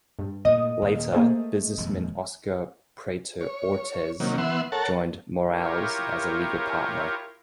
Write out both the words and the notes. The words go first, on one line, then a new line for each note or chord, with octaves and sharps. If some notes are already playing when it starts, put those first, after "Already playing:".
Later, businessman Oscar Prieto Ortiz joined Morales as a legal partner.
G2
A#2 A3 D#5 D#6
D#1
A3 A#3 G#4 C5
D#1 F2 G#3
C#5
C3 D#3 F#3 A#3 C#4
E3 B3 E5 F#5 C6
A4 A#4 C#5 F#5 A5
E4 F4 G4 A#4 C#5